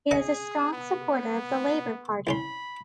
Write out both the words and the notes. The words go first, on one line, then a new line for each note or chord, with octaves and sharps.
He is a strong supporter of the Labour Party.
G#4 A#4 D#5 F#5
B3
C2 C#4 B5 C6